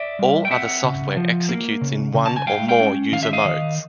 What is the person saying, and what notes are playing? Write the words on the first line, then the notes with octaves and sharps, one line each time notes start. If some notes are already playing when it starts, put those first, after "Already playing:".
All other software executes in one or more user modes.
Already playing: D5 E5
G3
G5
C4 E5 F#5
C#3
F3
A#3
C#3
C#3
A5
G#5
G#3 F5 G5
F5 G5
C#4
D#3 F5
E5
D#5 F5
D#3